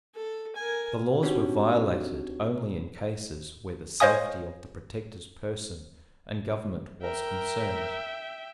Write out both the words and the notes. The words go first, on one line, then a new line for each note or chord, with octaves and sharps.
The laws were violated only in cases where the safety of the Protector's person and government was concerned.
A4
A#4 G#5
C4 D4 D#4 F#4 G4 C#5
C5 C#5 D#5 F5 G#5 D#6
A#4 E5 G5